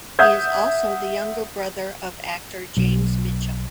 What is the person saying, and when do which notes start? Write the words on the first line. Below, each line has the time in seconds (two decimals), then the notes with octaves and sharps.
He is also the younger brother of actor James Mitchum.
0.19 E5 F#5 D#6 G6 G#6
2.77 B1